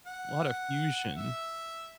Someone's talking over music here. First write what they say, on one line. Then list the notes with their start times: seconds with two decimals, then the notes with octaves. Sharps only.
lotta fusion.
0.07 F#5
1.16 E5